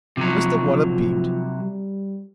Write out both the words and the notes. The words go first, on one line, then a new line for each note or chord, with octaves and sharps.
Mr Waller beamed.
C3 F3 F#3
G3